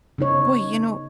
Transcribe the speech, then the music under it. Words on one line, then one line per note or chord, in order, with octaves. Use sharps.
Boy, you know
C#3 B3 D#4 C#5